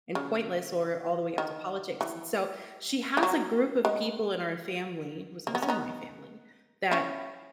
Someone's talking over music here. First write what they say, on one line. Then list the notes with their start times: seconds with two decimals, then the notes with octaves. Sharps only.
and pointless, or all the way up to politics, and so, she has a group of people in our family- who is also my family- that
0.15 C#3
1.38 D#3
2.01 E3
3.17 E3
3.23 F#3
3.85 G#3
5.47 A#3
5.55 B3
5.62 C#4
5.69 B3 D#4
6.91 C#4 E4